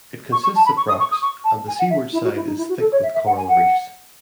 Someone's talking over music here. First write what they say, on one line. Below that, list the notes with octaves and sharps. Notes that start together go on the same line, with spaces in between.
It consists of rocks, and the seaward side is thick with coral reefs.
C#6
C#6
A5
B5
C#6
D#6
C#6
D#6
C#6
A5
G#5
F#5
E5
E4
F#4
E4
D#4
E4
F#4
A4
C#5
E5
E5
F#5
G#5
F#5